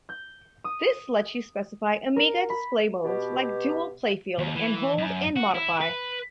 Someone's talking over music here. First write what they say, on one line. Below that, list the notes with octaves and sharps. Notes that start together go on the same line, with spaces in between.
This lets you specify Amiga display modes like "dual playfield" and "hold and modify".
G6
D#6
A#4
B5
B2 G4
D#2
E3
F#2
F#4
E4
B4